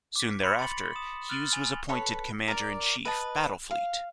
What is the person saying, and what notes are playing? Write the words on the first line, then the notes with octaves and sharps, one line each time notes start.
Soon thereafter, Hughes was appointed Commander in Chief, Battle Fleet.
D6 B6
B5 C6 C#7
A6 F#7
D#6 E7
F6 F#6 A6 F#7 G7
G#5 A6 D#7 F7
A4 B4 C#5
A#4 D5
B4 D#5 A5
F5